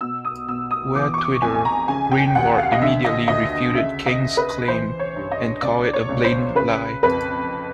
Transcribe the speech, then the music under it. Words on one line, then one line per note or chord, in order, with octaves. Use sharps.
Via Twitter, Greenwald immediately refuted King's claim and called it a "blatant lie".
B2 E6
D#6
B2 E6
D#6
E3 D6
C#6
D6
F2 G#5
A#5
C#3 G#5
G5
D#2 F#5
F5
D#5
D3 E5
D#5
D2 D#5
C#3 E5
D#5
C#3
B4
E3 C5
C#5
G2
D#5
C#2 D5
C#5
C#2
C5
C#3 B4
F2 B4